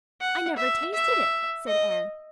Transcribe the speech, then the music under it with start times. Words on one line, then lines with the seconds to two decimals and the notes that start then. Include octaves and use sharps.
"I never tasted it," said Anne.
0.21 F#5
0.58 E5
0.94 E5
1.67 D#5